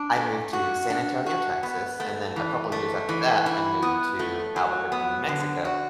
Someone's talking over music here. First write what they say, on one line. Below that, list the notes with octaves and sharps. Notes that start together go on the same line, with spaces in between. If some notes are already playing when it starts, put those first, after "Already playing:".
I moved to San Antonio, Texas, and then a couple years after that, I moved to Albuquerque, New Mexico.
Already playing: D4
A3
F#4
D4
F#4
B3
A3
E3
A3
E3
E4
B3
A3
F#3
B3
D3
F#4